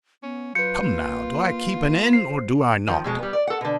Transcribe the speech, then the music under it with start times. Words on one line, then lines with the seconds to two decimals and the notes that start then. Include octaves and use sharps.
Come now, do I keep an inn, or do I not?
0.23 B3 C#4
0.55 F#3 F4 B4 G6 C#7
0.82 A#3
2.13 C5 C7
2.87 D#3 F3
3.04 F2 B2 G#3
3.18 G3 B3
3.33 D5
3.47 A4 F#5
3.61 B2 D3